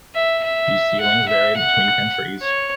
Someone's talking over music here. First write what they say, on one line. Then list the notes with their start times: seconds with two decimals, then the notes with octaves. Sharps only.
These ceilings vary between countries.
0.15 E5
0.44 E5
1.01 F#5
1.29 E5
1.57 F#5
2.42 C#5